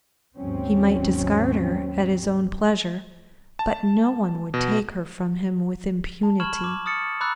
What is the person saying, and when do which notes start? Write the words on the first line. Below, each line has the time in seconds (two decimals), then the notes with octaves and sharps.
He might discard her at his own pleasure, but no one would take her from him with impunity.
0.36 D#2 G#2 F#3 C4 C#4
3.59 A5
4.54 B2
6.23 A5
6.40 B5 C#6 F6 G#6 E7 F#7
6.64 D6
6.86 D#6 F6 A6 C#7
7.21 A#5 B5 D6 E6 F#6 A6